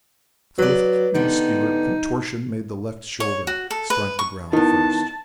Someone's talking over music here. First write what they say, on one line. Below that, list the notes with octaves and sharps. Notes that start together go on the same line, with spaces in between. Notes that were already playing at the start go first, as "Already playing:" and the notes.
A swift muscular contortion made the left shoulder strike the ground first.
F#3 B4 D5
D3 G3 B3 D#4
C#5
F#4
A4
B4
C#6
D#3 B3 D#4 E4 A5